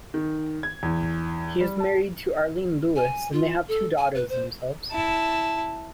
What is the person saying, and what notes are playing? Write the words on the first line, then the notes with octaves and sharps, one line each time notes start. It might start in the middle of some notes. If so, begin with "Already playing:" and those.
He is married to Arlene Lewis and they have two daughters themselves.
D#3
G#6
E2
G3
A5
G#5
F4
A4
G#5
B4
C5
E4 A5